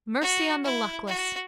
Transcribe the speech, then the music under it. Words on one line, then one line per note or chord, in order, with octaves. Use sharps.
Mercy on the luckless!
F#4
E4
F#4